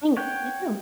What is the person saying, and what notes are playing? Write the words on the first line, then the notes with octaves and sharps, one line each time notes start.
Thanks, you too.
C#5 F#5 G5